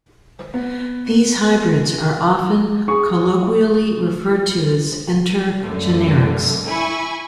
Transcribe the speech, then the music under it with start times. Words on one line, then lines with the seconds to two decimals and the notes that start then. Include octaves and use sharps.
These hybrids are often colloquially referred to as intergenerics.
0.54 B3
2.88 G#4 C#6
5.62 C#2 F#2 A2 D3
6.65 E4 G#5 B5 C#6